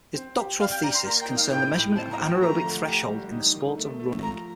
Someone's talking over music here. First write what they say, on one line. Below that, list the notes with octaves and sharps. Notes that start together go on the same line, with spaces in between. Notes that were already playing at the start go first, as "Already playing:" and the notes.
His doctoral thesis concerned the measurement of anaerobic threshold in the sport of running.
C4
G4
D5 F5
G5
D5 A#5
C6
A#3 A#5
G5
D#4
F5
A2 G5
A2
C4 A5
A#5
F3
G5
A3 A#5
D3
G4
G3
D#4
D#3
A3
A3
F3 A#5